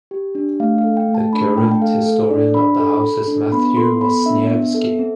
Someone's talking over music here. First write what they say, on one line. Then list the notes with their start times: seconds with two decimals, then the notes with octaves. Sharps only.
The current Historian of the House is Matthew Wasniewski.
0.11 G4
0.35 D4
0.60 A3 F5
0.78 F5
0.84 A4
0.97 G5
1.09 A3
1.14 A5
1.33 D4 B5
1.57 A3 G5
1.65 A5
1.72 G5
1.82 A4 F5
2.06 A4
2.31 D4 D5
2.54 D4 B5
2.79 A4
3.04 A4
3.28 D4
3.52 B3 B5
3.77 A4 C6
4.01 B3 B5
4.26 D4 E5
4.50 B3
4.74 A4
4.99 C4